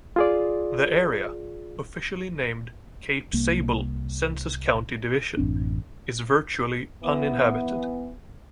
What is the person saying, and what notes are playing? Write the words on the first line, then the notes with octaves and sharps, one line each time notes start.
The area, officially named Cape Sable Census County Division, is virtually uninhabited.
F4 G#4 D5
C2 C3 A#3
A1 F#2 C4 D4
E3 B3